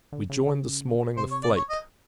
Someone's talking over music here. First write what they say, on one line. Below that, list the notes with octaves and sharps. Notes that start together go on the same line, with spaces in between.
We joined, this morning, the fleet.
D3
C#3
C#3
C3 C5
C#5
D5
C#5
D#5